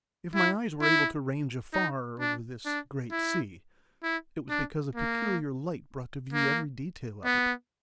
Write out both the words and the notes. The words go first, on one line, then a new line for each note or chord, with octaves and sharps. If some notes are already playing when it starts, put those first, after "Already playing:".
If my eyes were able to range afar over this great sea, it was because a peculiar light brought to view every detail of it.
E4
E4
D#4
D4
D4
E4
E4
D4
A#3
A#3
B3